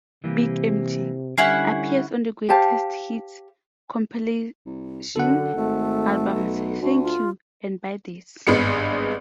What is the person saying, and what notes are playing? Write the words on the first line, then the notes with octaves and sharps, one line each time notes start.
"Big Empty" appears on the greatest hits compilation albums "Thank You" and "Buy This".
C3 E3 G3 A#3
D3 G3 C#4 E4 E5 F#5 G#5 C7
G4 C5 F5 A5
C2
F#2 D3 A4 F#5
G#1 A3
B1
D2 F#4
F4
G#1 G2 G#3 B3 C#7